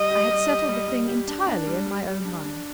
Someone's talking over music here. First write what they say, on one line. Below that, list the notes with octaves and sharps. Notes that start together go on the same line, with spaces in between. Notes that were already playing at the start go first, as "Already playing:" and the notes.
I had settled the thing entirely in my own mind.'
Already playing: G3 D#5
G4
G3
G4
G3
G3
G4
D4
D4
G3
G3
G3
D4
D4